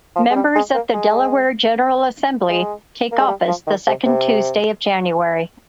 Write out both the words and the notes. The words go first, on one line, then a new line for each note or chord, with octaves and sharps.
Members of the Delaware General Assembly take office the second Tuesday of January.
F3
G#3
G3
G#3
A#3
G#3
G#3
A#3
G#3
G3
F3
D#3
C3
C3